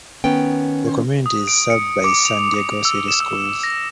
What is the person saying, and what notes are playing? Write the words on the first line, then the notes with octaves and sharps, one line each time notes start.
The community is served by the San Diego City Schools.
D#3 B3 C#4 G5
D#6
D7
C#7
D6
F7
D6
E6
E7
E6
A#6